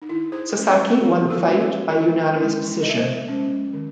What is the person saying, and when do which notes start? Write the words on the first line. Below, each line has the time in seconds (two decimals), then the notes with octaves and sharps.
Sasaki won the fight by unanimous decision.
0.02 D#4
0.09 D#3 E4
0.32 G#4 C5
0.55 G#3 C#4
0.77 G#4 C5
1.00 D#3 F#4 A4
1.30 F#4 A4
1.45 G#3 C#4
1.60 A4 C#5
1.91 D#3 E4
2.36 G#3 C#4 E4
2.82 D#3 D#5
2.90 E5
2.97 C5 D#5
3.28 G#3 C#4
3.73 D#3